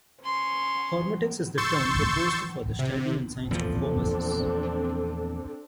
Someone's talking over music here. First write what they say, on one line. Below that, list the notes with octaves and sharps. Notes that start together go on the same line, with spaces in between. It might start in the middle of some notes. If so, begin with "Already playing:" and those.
Hormetics is the term proposed for the study and science of hormesis.
C#4 C6
C6 C#6 E6 G6 A6
C3
E2 A#2 F3 C4 D4 A4